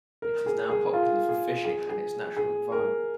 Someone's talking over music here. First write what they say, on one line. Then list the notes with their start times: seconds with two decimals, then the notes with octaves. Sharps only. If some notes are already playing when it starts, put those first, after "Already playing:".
It is now popular for fishing and its natural environment.
0.22 A#4
0.46 G#4
0.70 G#4
0.94 F4
1.29 G#4
1.65 G#4
1.89 G#4
2.37 G#4
2.72 A#4